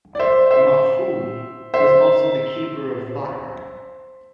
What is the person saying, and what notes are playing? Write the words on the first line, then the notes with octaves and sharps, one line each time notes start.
Mafui'e was also the keeper of fire.
D5
C5 E5
C5 E5
C5 E5